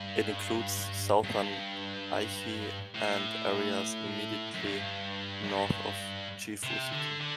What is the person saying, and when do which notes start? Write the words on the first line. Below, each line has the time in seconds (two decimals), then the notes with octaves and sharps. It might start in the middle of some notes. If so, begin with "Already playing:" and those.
It includes southern Aichi and areas immediately north of Gifu City.
Already playing: G2
1.24 G2
2.95 A2
4.54 F#2
4.65 G2
5.43 F#2
5.50 G2
6.63 C3
6.92 D3
7.20 D3